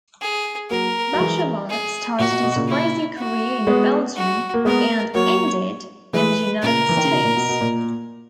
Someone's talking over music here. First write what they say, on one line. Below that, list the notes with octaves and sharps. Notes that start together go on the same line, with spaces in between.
Bachelart started his racing career in Belgium and ended in the United States.
G#4
F#3 A#3 A#4
F#3
E3 G#3
G#4
A#2 F#4
B2
B2
A#2 C#3
E4
F#4
G#3 B3
F#4
A#3
G#3 B3 A#4
F#3 A#3 C#5
E3 G#3 B4
A#2 C#3 A#4
E3
D#3
C#3
B2
A#2
B2
B2
A#2